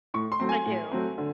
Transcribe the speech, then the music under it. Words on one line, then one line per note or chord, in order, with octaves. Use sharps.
I do.
A2 C#6
C6
F#3 A3 C4
G#5
A2
F#3 A3 C4
D3